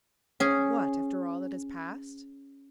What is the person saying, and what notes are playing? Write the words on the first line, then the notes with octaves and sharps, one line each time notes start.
"What, after all that has passed?"
C#4 G#4